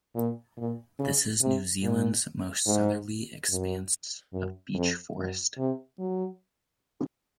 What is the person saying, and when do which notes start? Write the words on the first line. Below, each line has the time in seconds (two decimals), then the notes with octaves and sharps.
This is New Zealand's most southerly expanse of beech forest.
0.15 A#2
0.57 A#2
0.99 C#3
1.41 C3
1.82 A#2
2.66 G#2
3.49 F#2
4.33 F#2
4.74 F2
5.16 F#2
5.57 C3
5.99 F#3